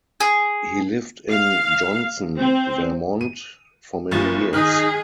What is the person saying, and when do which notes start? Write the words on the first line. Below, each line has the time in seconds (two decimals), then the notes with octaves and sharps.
He lived in Johnson, Vermont for many years.
0.20 G#4
1.31 F5
2.39 C4
3.21 D#7
4.11 G1 F3 A#3 A6
4.53 D#3 D#4 G#4 F6 F#6